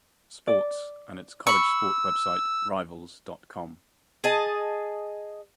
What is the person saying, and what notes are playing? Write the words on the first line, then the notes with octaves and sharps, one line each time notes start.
Sports and its college sports website Rivals dot com.
D5
B5 C#6 E6
G#4 D#5 A5